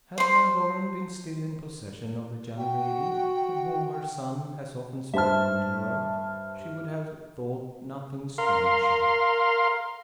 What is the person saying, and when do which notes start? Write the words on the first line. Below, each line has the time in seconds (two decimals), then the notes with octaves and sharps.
Had Llangorren been still in possession of the young lady, of whom her son has often spoken to her, she would have thought nothing strange of it.
0.18 C5 C6
2.58 F#4 G5
5.14 G2 C5 E5 A5 F6
8.38 A#4 F5 C6